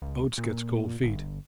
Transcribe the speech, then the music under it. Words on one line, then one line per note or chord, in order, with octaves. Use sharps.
Oates gets cold feet.
C#2
A#2
G1